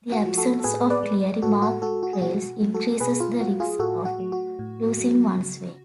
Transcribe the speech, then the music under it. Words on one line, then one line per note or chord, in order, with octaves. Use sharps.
The absence of clearly marked trails increases the risk of losing one's way.
F#4
F3 A3
F#4 A4
A4
A2 G#4 B4
B4 D5
G#3
A2 F#4 A4
F#4 A4
G#3 F#4 A4
F#4
G#4
B2 F#4
F#3 A3
F#4 A4
B2 G#4 B4
F4
F#3 A3 F#4
F4 G#4
A2 F#4 A4
F#4
F#3 A3
F#4
A2
F#3 A3
C#3